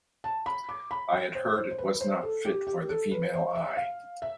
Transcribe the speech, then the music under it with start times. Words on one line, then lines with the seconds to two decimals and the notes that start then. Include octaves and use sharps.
I had heard it was not fit for the female eye.
0.24 A5
0.46 B5
0.69 D6
0.91 B5
1.13 G5
1.35 C5
1.57 C5
1.71 C5
1.78 B4
1.94 B4
2.01 C5
2.23 A4
2.45 G4
2.67 G4
2.89 A4
3.11 B4
3.33 C5
3.55 E5
3.77 F5
4.22 E5